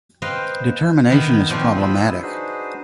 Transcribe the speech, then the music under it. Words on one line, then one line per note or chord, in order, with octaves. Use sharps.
Determination is problematic.
B4 C5 D#5 F5 G5
D#3 E3 B3 B5
A#2 F3 B3 C4
D4 F4 C5 B5 D#6 E6
D4 D#4 F#4 G#4 B4 C5